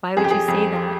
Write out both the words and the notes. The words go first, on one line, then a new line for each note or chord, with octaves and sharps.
Why would you say that?"
F2 G#4
G4
G#4
F2